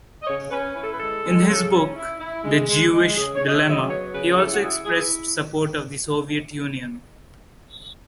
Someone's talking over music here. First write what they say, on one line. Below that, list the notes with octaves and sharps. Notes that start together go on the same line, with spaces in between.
In his book "The Jewish Dilemma", he also expressed support of the Soviet Union.
D#5
C#3 C#5
C#4 B4
E4 B4
A4
B4
G#3 A4
G#3
C#3
C#4
E4
E4
G#3
G#3
G#3
C#3 G#4
C#5
C#3
D#5
E5
F#3 E5
D#5
B3 C#5
C#3 B4
E4 A4
F#4
E4 G#4
E4 G#4